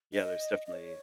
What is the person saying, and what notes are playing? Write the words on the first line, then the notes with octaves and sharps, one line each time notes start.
Yeah, there's definitely
D#5
D#5
C#5